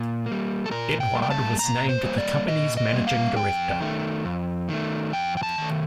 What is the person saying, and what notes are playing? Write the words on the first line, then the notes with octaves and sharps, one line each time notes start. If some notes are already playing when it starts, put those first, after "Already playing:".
Edouard was named the company's managing director.
Already playing: A#2
A#3
G3
A4
A#2 A#4
G5
G3 A#3
G5
A5
A#2 A#5
C5
G3 A#3
D5
A#2 D#5
D#5
G3 A#3
F5
F2 G5
D#3 A3
F2
D#3 A3
F2 G5
G5
A5
D#3 A3